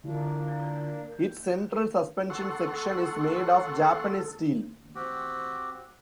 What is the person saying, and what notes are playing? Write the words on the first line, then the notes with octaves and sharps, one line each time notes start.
Its central suspension section is made of Japanese steel.
D3 A#3 D4 E4 F4
A4 F#5 C6 C#6
C4 F#4 G4